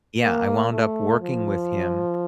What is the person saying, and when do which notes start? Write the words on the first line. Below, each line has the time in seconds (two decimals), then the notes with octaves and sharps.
Yeah, I wound up working with him,
0.22 A#3
0.72 A3
1.21 F3